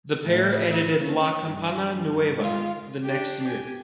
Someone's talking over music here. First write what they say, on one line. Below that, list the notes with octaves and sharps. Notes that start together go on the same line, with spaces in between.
The pair edited "La Campana Nueva" the next year.
A2 E4
A#3 C#4
G2
G#3 F4
D4 G4
G4 G#5